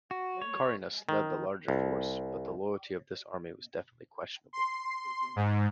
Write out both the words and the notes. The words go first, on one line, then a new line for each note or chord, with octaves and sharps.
Carinus led the larger force, but the loyalty of this army was definitely questionable.
F#4
C#5
D#3
C2
C6
G#2